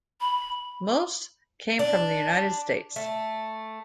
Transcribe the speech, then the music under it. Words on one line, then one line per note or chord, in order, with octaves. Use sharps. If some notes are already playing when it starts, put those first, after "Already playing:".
Most came from the United States.
B5
D4
A3